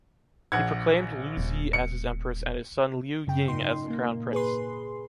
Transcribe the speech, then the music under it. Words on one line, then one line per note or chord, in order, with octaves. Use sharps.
He proclaimed Lü Zhi as his empress and his son Liu Ying as the crown prince.
A#1 F#5 G#6
D#1
C#7
F#2 C#3 G5
G#2 D#4 C6
A#2 A#3
G#4 B4 C6